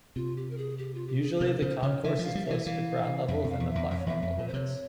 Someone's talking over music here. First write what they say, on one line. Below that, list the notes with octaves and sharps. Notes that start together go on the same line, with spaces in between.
Usually, the concourse is closer to ground level than the platform level is.
C3 F4
G4
A#4
G#4
G4
F4
G4
G#4
G#4
C3 A#4
C#3 C5
C#3 C#5
E3 E5
F3
F5
G3
E5
E3
E5
E3 F5
F2 E5
F2 F5
E2
E2 E5
F2 E5
C#5
E2 E5
F2
A#2
C5
C3 C#5